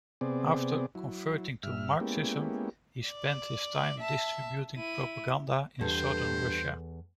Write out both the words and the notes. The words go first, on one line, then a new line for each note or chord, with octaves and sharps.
After converting to Marxism, he spent his time distributing propaganda in southern Russia.
C3 B3 C4 G#4 D5
F#3 E4
G2 E5 F6
G#3 A#3 B3 C#4 E4 G4
D5
E5 A5
E4 D#7
E2 G2 G4 A4 C5